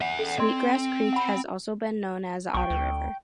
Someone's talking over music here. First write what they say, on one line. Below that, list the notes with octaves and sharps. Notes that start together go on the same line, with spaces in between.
Sweet Grass Creek has also been known as: Otter River.
E5 F#5
C#4 A4
C4 D5 C6
F#5 B5
B1 G5 C#6
D2